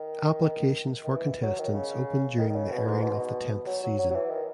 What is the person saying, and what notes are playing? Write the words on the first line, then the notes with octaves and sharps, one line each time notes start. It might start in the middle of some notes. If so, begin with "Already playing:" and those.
Applications for contestants opened during the airing of the tenth season.
Already playing: D#3
D#3
E3
F#3
D#3
C#3
D#3
D#3
C#3
B2
G#2
B2
F#3
F#3
F#3
F#3
E3
D#3